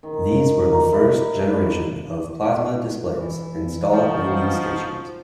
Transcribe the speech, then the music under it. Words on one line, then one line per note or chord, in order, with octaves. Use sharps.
These were the first generation of plasma displays installed in these stations.
D#3
A#5
E4
E3
F3 D#4 F#4